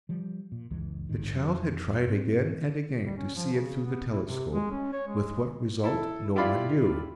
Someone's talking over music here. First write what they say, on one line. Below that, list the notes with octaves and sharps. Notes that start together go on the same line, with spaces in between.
The child had tried again and again to see it through the telescope, with what result no one knew.
F3 G3
A#2
F#1 C#2 E3 G#3
A1 D2 G#2 D#3
F2 F#3
G#2 C4
G3
C#4
F3
C#3
B3
E4
C3
G#3
C#4
C#5
G#3
E4 A4
E4 F4 G4 D5 F5 B5